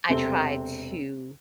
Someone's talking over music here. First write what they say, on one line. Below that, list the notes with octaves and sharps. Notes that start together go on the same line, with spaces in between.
I try to
E1 C3 C4 A4 G7